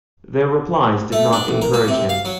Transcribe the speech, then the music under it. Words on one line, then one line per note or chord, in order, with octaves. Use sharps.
Their replies did not encourage him.
A3
D4
A1
A#4
A#3
C3
F5
F#3